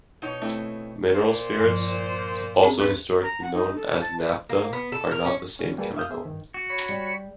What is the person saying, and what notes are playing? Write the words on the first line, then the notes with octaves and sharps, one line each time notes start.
Mineral spirits, also historically known as "naptha", are not the same chemical.
B2 D#4 C#5
A3 C4 E4
A#2 C5
G2 F3
C4 C#4 G#4
D#2 G#2 A3 B4
A#5
F#5
D#4
A4
A5
B4
A#3
B3
A4
A#4
C#4
D3 E3 C#4
F#3 G3 A#3 G#4 A4 B4
F#2 E5 F5 D#6 F6 G6
B3 G#4 C5 E5
G2 D#3
F#4
C#5 B5
G3